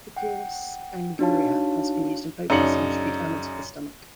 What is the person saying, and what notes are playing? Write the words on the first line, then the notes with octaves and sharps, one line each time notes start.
"Cucumis anguria" has been used in folk medicine to treat ailments of the stomach.
F#5 G5
D4 D#4 F#4 C#5 F5 A5
F#2 C#3 D4 D#4 C#7 F#7